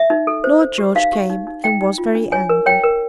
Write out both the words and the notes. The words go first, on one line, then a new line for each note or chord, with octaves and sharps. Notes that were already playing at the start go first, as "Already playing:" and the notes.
Lord George came and was very angry.
Already playing: E5
D#4
A4
C5
C5
G4
D#4 F5
G4
D#4
D#4
D#4 G5
D#4
F4
D4
C#5 G#5
A#4
C#5 G5
A#4